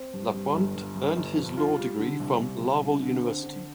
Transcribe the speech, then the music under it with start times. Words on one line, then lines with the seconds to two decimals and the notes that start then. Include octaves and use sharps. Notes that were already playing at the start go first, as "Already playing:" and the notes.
Lapointe earned his law degree from Laval University.
Already playing: C4
0.13 G2
0.34 G2
0.54 G1
0.75 G2
0.95 G2
1.17 G1
1.37 F2
1.57 F4
1.78 G3
1.99 D3
2.19 C2
2.40 C2
2.61 C2
2.82 C2
3.02 D3
3.23 C4
3.43 D3